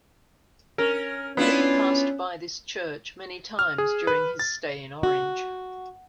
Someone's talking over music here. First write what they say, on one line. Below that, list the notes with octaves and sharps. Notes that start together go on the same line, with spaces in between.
Lee passed by this church many times during his stay in Orange.
C#4 A#4
B3 C#4 D4 E4 F4
F6
G#4
B4
A6
F#4